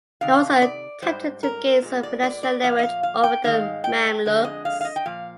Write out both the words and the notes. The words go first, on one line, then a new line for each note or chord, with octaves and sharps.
They also attempted to gain some financial leverage over the Mamluks.
C3 D#3 F5
D5
G#2 G3 C5
A#4
A#2 G#3
D5
D5
D5
A#2 F3 F5
D#5
F5
F5
G5
G#2 D#3 G#3 F5
G5
F2 D3 G#3
D#5
F5
F5
D#5
G5
A#2 F3 F5